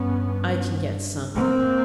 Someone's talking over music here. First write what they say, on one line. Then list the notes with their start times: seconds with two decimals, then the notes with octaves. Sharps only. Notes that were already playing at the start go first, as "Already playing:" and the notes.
"I can get something."
Already playing: G2 B3 C#4
1.35 A#3 C4